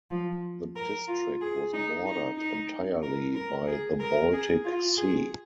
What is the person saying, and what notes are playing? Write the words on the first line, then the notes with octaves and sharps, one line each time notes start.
The district was bordered entirely by the Baltic Sea.
F3
A#4
F4
G#4
D#4
D#4
D#4
A#4
A#4
G#4
A#4
G#4
F4
G#4